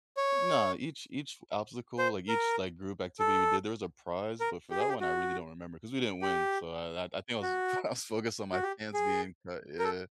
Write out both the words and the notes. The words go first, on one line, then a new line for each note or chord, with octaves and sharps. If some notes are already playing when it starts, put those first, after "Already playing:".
No, each each obstacle, like, each, like, group activity we did, there was a prize, but for that one I really don't remember, 'cause we didn't win, so I I I think I was I was focused on my pants being cut, yeah.
C#5
C5
A#4
A4
A#4
G4
G#4
G4
F#4
G4
F#4
F#4
G4
G#4
A#4
A4